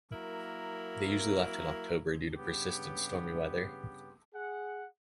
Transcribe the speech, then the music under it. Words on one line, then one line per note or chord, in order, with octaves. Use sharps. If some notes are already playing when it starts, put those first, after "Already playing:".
They usually left in October due to persistent stormy weather.
F#3 A#3 E4 A#4
G2 C#3 B3 G4
G#4 F#5